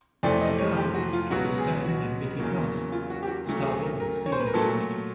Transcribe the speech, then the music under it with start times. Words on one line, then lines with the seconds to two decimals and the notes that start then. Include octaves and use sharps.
Nagaharu took a stand in Miki Castle, starting the Siege of Miki.
0.23 F2 C3 E3 A3 C4 D5
0.41 D#5
0.58 C#5
0.77 G4
0.94 F#4
1.13 F4
1.31 C#2 B2 F#3 B3 F#4
1.58 G#4
1.84 F#4
2.38 E2 C#3 F#3 A#3
2.92 F4
3.10 F#4
3.23 G4
3.28 F#4
3.46 D2 C#3 F#3 A3
3.64 G#4
3.82 A#4
4.00 A#4
4.26 C#5
4.32 C5
4.40 B4
4.47 A#4
4.54 A#2 F#3 A3 A4